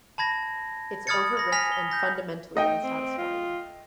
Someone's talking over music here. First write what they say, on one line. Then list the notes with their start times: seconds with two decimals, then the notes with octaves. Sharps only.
It's overrich and fundamentally unsatisfying...
0.18 A5 B5 G#6 A#6
1.07 B5 D#6 F6 G#6 A6 C#7
1.37 B5 A#6
1.52 G#5 F6 A#6 B6 F7
1.72 G7
1.91 G6 A#6
2.55 A3 D#4 D#5 G5
2.83 C4
3.18 F4